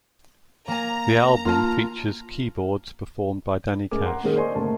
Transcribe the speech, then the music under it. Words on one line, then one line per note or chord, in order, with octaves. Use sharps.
The album features keyboards performed by Danny Cash.
A#3 G#5 A#5
A#3 F4 A5 F6
F#2 G#3 A#4 G#5 D6
F#5 A#5 C6
A#2 D#3 G#3 C#4 G#4 A#4
C5 D5 D#5 G#5 C6 C#6
G1 A#2 C#3 A3 A#4 A5